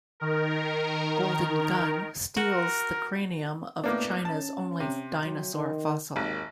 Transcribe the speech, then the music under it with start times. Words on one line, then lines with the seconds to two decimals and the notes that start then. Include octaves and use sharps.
Golden Gun steals the cranium of China's only dinosaur fossil.
0.20 D#3 A#4
2.37 F#4 A#4
3.84 A2 A#3 B3 D4
4.25 C#4 A5
4.80 C3
5.25 F#3
5.54 D#3
6.16 G#1 D#2